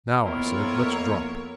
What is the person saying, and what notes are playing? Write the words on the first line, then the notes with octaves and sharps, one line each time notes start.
"Now," I said, "let's drop."
F2 D#3 A#3 B3 E4 F4 A#4 C#5